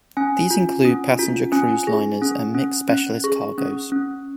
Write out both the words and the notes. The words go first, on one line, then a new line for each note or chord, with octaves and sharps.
These include passenger cruise liners and mixed specialist cargoes.
C#4 G#5
F4
C#4
F4
C#4 G#5
G#4
C#4
C#4
C#4
G#4 C#6
C#4
C#4